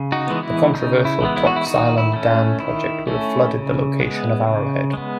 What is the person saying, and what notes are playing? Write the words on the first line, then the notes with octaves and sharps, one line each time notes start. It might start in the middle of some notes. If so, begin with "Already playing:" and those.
The controversial Tocks Island Dam project would have flooded the location of Arrowhead.
Already playing: C#3
D#4 F#4
E3 G#3 B3
E4
C#3 D#4
E4
E3 G#3 B3
E4
F#4
E4
D#3 D#4 F#4
E4
A3 C#4
D#3 E4
A3 C#4
C#3
G#3 B3
C#3
G#3 B3